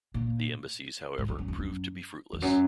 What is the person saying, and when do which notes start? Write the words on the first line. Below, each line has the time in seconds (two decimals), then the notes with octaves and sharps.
The embassies, however, proved to be fruitless.
0.14 A#2
1.18 G#2
1.28 E2
1.39 F#2
1.48 E2
1.58 F#2
2.33 E2
2.42 F#2